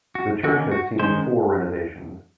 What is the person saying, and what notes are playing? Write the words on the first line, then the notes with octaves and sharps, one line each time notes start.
The church has seen four renovations.
F#4
D#3 A#3 C#4 F#4
F#4
D#3 G#3 C#4 C5